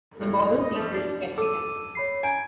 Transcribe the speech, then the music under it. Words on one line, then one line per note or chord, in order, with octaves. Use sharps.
The borough seat is Ketchikan.
A2
D#5
F3 G3 A3
D4
A4 D6 E6 D#7
C#5 B5 C7
G#5 A#5 G#6 D7